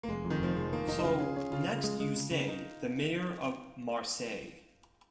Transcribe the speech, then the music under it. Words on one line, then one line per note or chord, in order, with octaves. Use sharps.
So next you say the Mayor of Marseille.
A#3
F1 G#3
F2
D#3
F1 F3
F1 G#3
D#3 A#3
F1 D#4
D#4
C#3 F4
C#4 G#4
C#4 G#4
C#3 F4
C#3
G#3
G#3
C#3
C#3
D#4